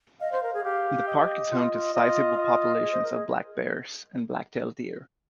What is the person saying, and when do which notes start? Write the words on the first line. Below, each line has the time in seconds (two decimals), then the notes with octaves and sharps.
The park is home to sizable populations of black bears and Black-tailed deer.
0.21 D#5 F5
0.32 C5
0.43 A#4
0.54 G#4
0.64 G4 F5
1.07 D#5
1.51 F4
1.73 F4
1.94 F4 D#5
2.37 D#5
2.82 G#4
2.92 C5
3.03 A#4
3.14 G#4